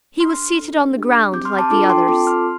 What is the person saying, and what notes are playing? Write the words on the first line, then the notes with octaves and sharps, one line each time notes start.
He was seated on the ground like the others.
D4 G4 C6 F6
D4 A4
D4 G4
C4 G4 D6 G6
C6 F6
A5 D6
D4 F4 A4 A5 D6
G5 C6
C4 F4 A4 A5 D6
C6 F6